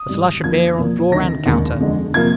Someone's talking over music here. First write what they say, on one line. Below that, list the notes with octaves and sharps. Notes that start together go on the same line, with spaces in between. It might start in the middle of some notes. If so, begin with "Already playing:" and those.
A slush of beer on floor and counter.
Already playing: D#6
G#2 D#3 G3
F2 D3 F3 A#3 G#6
A#2 F3 A#3
D2 C3 D#3 A#6
D#2 D3 G#3
F2 D3 G#3
C3 F3 A#3 G#6